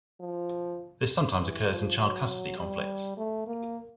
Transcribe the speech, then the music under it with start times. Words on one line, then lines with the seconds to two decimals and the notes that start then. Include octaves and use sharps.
This sometimes occurs in child custody conflicts.
0.20 F3
1.40 E3
1.70 F3
1.99 F#3
2.58 G3
3.17 A3
3.47 A#3